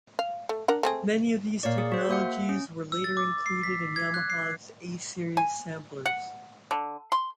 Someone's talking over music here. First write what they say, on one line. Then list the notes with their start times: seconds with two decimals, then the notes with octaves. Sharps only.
Many of these technologies were later included in Yamaha's A-series samplers.
0.19 F5
0.49 A3
0.68 D4 A#4 F#5
0.83 A3 C4 G#4
1.63 A#2 C#5 D5 F5
1.78 G#4
1.92 F#4 C5
2.09 A#3 G#4 E5 F#5
2.49 C#4
2.92 E6
3.04 A6
3.17 D6
3.46 C7
3.63 B6
3.96 G#6
4.14 F#6
4.30 C7
5.37 G#5
6.05 F#5
6.71 D3
7.12 C6